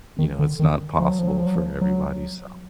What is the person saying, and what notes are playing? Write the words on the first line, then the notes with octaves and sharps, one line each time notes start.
you know, it's not possible for everybody, so
D#3
D3
D#3
F3
F#3
F3
F#3
F3
F#3
F3
F#3